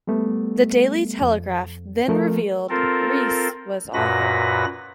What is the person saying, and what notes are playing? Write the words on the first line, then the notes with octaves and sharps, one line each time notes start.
"The Daily Telegraph" then revealed Rees was author.
G3 A3 B3
F2
F3 A3 A#4
C4 F4 A4 A#4
F#2 A#2 F#4 B4 B5 A#6